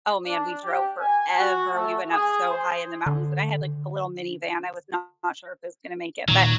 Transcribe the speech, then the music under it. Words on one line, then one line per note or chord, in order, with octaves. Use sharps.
Oh, man, we drove forever, we went up so high in the mountains, and I had, like, a little minivan. I was not sure if it was gonna make it, but,
D4
G4
G#5
F#4
A3
G#4
C5
D3
A#2 D#3 F#3